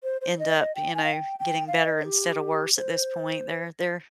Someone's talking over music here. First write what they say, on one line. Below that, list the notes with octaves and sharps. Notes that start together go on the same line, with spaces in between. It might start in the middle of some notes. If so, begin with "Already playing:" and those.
end up, you know, getting better instead of worse at this point. They're they're
C5
C5
D#5
D#5
G5
G#5
F5
G5
G5
F5
D#5
G4
C5